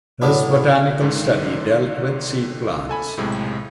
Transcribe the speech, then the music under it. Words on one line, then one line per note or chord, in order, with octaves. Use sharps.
His botanical study dealt with seed plants.
A2 F#3 B3 D4 E4
G#2 D3 D#3
A4 G#5 B5
B1 A2 C3 G#3